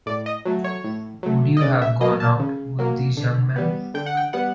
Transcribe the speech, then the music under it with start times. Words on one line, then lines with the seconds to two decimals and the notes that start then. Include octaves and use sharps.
Would you have gone out with these young men?
0.06 A2 D5
0.26 D#5
0.45 F#3 A3
0.64 C#5
0.84 A2
1.23 F#3 A3
1.57 D#5
1.61 C#3 D5
1.82 E5
2.01 F#3 A#3 D#5
2.20 A5
2.39 C#3
2.79 F#3 A#3
3.17 D3
3.56 G3 B3
3.94 D3 G5
4.06 F#5
4.17 G5
4.33 G3 B3 F#5